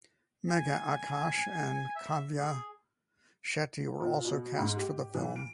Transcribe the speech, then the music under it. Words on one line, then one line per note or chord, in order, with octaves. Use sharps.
Megha Akash and Kavya Shetty were also cast for the film.
G#5
E5
G#4
A#2
B2
G#2
G4
E3
D7